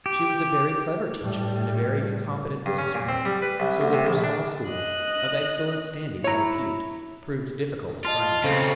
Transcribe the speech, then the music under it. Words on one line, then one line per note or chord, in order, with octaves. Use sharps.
She was a very clever teacher and a very incompetent business woman, so that her small school, of excellent standing and repute, proved difficult to finance.
G4
A2 G3
G2
C#4
A#2
C4
G3
B4
C2
D2
C3
A#1
D4
D#5 F#6
E4 C#5 A#5
F4 D#5 A5 C6
C#3 C4 A4 C5 F5